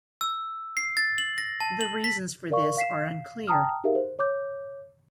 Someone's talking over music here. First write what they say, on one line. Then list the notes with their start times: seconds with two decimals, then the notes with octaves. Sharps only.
The reasons for this are unclear.
0.21 E6
0.77 C7
0.97 A6
1.18 F#7
1.38 A#6
1.60 A5
1.81 F#7
2.04 B6
2.51 A#4 D5 F5 C#6
2.77 F5 B6 C7 E7
3.47 G5 A5 A#5 D#6 F6
3.84 D#4 G4 G#4 A#4 E5 F5
3.95 C5
4.19 C#5 D6 G6